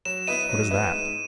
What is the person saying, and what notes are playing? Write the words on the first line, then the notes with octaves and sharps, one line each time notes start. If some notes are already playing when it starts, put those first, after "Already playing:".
"What is that?"
F#3 E7
B3 E4 B4 D#5 D#7
F#3
B3 E4 B4 D#5
G#2